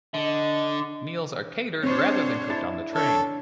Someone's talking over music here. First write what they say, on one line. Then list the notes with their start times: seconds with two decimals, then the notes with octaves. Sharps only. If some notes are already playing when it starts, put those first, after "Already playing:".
Meals are catered rather than cooked on the train.
0.14 D3 D#5
1.83 C4 D4 C5 C#5
2.50 E4 A5
2.94 D4 A4 C#5